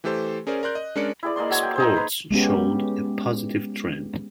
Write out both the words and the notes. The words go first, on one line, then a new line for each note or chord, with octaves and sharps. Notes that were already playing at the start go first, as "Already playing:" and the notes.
Exports showed a positive trend.
E3 A3 G4 A4 C5 C6
C#4 G#4 A#4 C5 D5
A#4 D5 C6 F#6 G6
D#5
G#3 C#4 D4 A#4 D5 C#7
E4 G#4 D5
G#3 A#3 D5 C6
F#3 G#5
G5
D#4 G#4 C5
B4 A#5
G#3 B3 C#4 G4